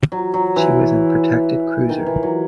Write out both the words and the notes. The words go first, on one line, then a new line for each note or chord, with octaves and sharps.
She was an protected cruiser.
F#3
F#3
E3
D#3
E3
F#3